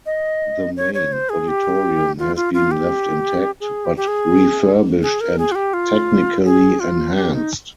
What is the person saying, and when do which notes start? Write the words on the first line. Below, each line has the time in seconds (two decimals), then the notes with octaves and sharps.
The main auditorium has been left intact, but refurbished and technically enhanced.
0.06 D#5
0.77 C#5
0.94 C#5
1.12 C5
1.29 G#4
1.48 G4
2.19 F4
2.36 F4
2.54 F4
2.71 G4
3.60 G#4
3.85 G4
3.97 G4
4.08 G#4
5.02 G#4
5.20 A#4
5.38 G#4
5.52 F4
5.55 G4
5.73 F4
6.45 G#4
6.80 F4
7.16 G4
7.33 D#4